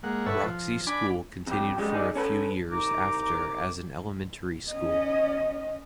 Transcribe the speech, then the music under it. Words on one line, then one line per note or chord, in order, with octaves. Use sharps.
Roxie School continued for a few years after as an elementary school.
G#3 A#3 F#5
G2 A4 B4 C#5 E5 F#5
F3
D4 G#5 B5 D6
F2 G4
F#2 G3 G#3 G4
D#4 G#4 D5
C#4 A4 B4
C2 D#4 A#5 D6
C#4 D#5